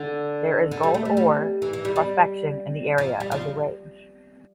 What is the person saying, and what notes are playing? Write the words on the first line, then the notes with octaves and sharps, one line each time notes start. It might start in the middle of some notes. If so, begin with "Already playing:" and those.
There is gold ore prospection in the area of the range.
Already playing: D3
D3
G3
A3
G3
G3
E3
E3
G3
G3
F3
G3
F3